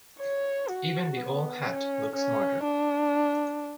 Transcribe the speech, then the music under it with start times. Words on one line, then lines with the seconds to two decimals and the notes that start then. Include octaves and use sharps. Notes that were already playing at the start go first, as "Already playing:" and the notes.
Even the old hat looked smarter.
0.20 C#5
0.69 F#4
1.17 B3
1.66 C#4
2.15 C#4
2.64 D4